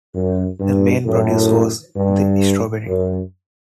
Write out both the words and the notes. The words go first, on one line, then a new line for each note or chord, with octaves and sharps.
The main produce was the strawberry.
F#2
G2
F#2 A2
G2
F#2